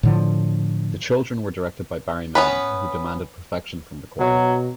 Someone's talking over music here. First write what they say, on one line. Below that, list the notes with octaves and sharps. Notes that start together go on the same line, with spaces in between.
The children were directed by Barry Mineah, who demanded perfection from the choir.
A2 D3 F3
B3 C#4 B4
B2 F#3